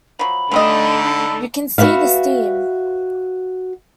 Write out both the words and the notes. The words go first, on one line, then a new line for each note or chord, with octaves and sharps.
You can see the steam.
F3 F#3 B5
D3 F3 G3 A3 D4 D#4 A4 D#5
F#4 A4 B4 E5 F5